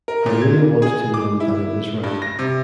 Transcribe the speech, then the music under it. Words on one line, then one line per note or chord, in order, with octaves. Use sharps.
I really wanted to know that it was right.
A#4
A#2
G#6
G#4
D6
E4
G2
A#6
C3